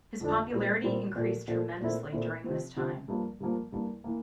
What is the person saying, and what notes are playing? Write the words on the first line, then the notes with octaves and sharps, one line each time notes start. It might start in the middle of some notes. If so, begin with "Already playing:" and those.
His popularity increased tremendously during this time.
F2 D3 A3 D4
A#2 G3 C4
A#2 G3 C4
A#2 F3 A3
A#2 F3 A3
A#2 A3 C4 E4
A#2 A3 C4 E4
C3 F3 C4
C3 F3 C4
G2 F3 A#3
G2 F3 A#3
G2 E3 A#3
E3 A#3